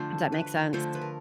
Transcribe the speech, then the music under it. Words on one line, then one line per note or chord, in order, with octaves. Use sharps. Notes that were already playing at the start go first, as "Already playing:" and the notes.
Does that make sense?
Already playing: D3 F3 A3 D4 C5
B4
D3 F3 A3 D4 C5
B4
A#4